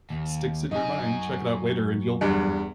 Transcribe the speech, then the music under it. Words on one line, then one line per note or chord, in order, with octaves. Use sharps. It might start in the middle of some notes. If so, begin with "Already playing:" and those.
sticks in your mind, check it out later and you'll
D#2
F#2 D#4 G#5
E2 G2